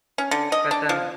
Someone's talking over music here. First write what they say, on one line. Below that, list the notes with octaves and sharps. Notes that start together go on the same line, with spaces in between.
But, then
C#4
D3
D#5
D4
F3